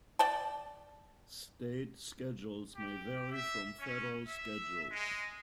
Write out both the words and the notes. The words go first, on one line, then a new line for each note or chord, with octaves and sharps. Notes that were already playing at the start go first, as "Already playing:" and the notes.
State schedules may vary from federal schedules.
D5 G5 A5
G4
E5
C#4
E5
G#3